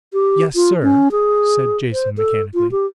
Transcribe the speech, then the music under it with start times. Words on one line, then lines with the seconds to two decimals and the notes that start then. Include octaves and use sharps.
"Yes, sir," said Jason mechanically.
0.13 G4
0.55 F4
0.83 C#4
1.12 G#4
1.93 C5
2.17 A4
2.54 F4
2.71 G4